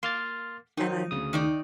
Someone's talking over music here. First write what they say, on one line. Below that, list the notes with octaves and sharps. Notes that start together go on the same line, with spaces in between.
and I'm
A#3 C6 F6 A6
D#3 F#3 D#4 C5
D2 C#3 D#6
D#3 D#4 D5